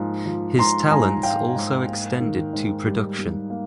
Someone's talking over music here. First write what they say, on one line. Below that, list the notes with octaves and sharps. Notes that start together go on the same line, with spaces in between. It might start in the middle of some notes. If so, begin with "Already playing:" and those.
His talents also extended to production.
Already playing: G#2 F3 A#3
F3
G#2 A#5 C6
G#2 G#5 A#5
G#2 F5 G5
G#2
A#3
D#3
G#2
G3
G3
A#3